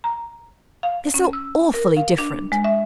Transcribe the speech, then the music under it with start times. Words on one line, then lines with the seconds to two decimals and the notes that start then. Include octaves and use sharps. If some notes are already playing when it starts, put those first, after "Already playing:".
They're so awfully different!'
0.04 A#5
0.83 F5
1.14 C#4
1.33 E6
1.74 A#4
1.97 F5
2.18 D4
2.52 G#3
2.64 E5